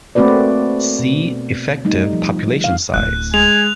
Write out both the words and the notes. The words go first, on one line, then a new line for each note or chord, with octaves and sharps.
See effective population size.
A3 A#3 C4 F#4 B4 D5
B2
G3 A3 D#4
F3
F5
D1 A3 F#6
G#3 G#5 F7